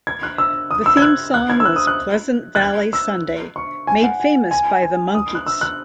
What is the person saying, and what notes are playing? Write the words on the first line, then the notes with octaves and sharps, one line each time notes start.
The theme song was "Pleasant Valley Sunday", made famous by The Monkees.
G#6
F#6
E6
D#6
E6
G#6
F#6
F#6
G#6
E6
F#6
D#6
F#6
F#6
G#6
E6
C#6
G#5
F#5
G#5
G#5
G#5
D#6
F#6
E6
F#6